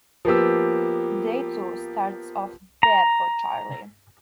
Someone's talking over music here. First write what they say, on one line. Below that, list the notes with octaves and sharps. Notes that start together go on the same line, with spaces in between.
Day two starts off bad for Charlie.
F3 A#3 B3 G4 E6
A#5